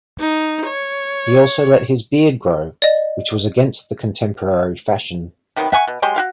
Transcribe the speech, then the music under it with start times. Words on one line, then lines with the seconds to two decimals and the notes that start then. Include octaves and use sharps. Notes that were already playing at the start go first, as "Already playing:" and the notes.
He also let his beard grow, which was against the contemporary fashion.
0.19 D#4
0.66 C#5
2.82 D5 D#5
5.56 C3 D#3 F#3 B3
5.72 E5 F#5 G#5 C#6
5.87 B2
6.02 F#3 G#3 G4 C6
6.16 F#4 G4 F5